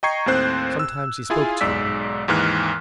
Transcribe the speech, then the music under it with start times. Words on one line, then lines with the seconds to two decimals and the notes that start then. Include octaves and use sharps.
Sometimes he spoke to him.
0.03 D#5 G5 A#5 C#6 G#6 C7
0.26 D#2 A2 C4 C5 F#6
0.79 E6
1.30 E4 F4 G#4 F5 G#5
1.61 B1 G#2 G#3 D5 E6 B6
2.28 D#2 G#2 E3 F6 F#6